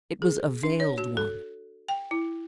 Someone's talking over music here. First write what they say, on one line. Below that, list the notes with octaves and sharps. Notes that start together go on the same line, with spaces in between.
It was a veiled one.
G#4
D4
C#5
F#4
A4
G5
E4